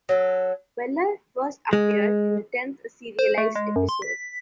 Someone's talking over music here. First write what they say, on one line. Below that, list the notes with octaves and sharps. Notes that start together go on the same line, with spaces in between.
Weller first appeared in the tenth serialised episode.
F#3 A4
G#3
C5
A3
G#3
F#2
C6
B6